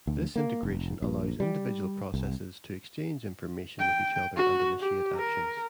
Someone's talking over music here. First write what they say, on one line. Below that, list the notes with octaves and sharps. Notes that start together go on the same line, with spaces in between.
This integration allows individual processes to exchange information with each other and initiate actions.
D2
A#3
F1
A#1
G3
C2
G5
F#4
G4
A#4